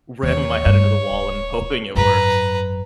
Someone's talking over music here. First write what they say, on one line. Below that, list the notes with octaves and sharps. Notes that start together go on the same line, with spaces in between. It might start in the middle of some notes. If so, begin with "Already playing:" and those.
ramming my head into the wall and hoping it works.
D#2 E3 C#5
G2
D1
G#1 F#2 B4 A#5